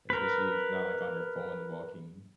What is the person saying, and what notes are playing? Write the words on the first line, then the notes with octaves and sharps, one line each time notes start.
Especially if you're not, like, on your phone and walking,
A#4 B4